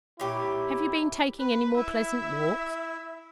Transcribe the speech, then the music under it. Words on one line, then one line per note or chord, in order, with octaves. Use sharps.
'Have you been taking any more pleasant walks?'
A#2 E4 G4 C#5
B4
E4 E5